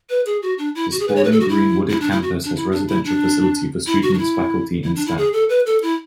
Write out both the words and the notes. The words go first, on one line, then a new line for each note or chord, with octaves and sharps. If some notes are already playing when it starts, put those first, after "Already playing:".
The sprawling green wooded Campus has Residential Facility for students, faculty and staff.
B4
G#4
F#4
D4
E4
F#4
G#4
B4
C#5
B4
A4
F#4
E4
E4
D4
E4
F#4
D4
E4
D4
E4
D4
E4
F#4
D4
E4
E4
D4
E4
G#4
A4
B4
A4
E4